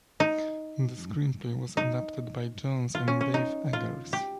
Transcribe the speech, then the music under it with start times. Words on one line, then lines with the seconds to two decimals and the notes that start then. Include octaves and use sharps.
The screenplay was adapted by Jonze and Dave Eggers.
0.20 D#4
1.77 D#4
2.95 F4
3.08 C#4
3.21 C#4
3.34 D#4
3.73 F4
4.13 G4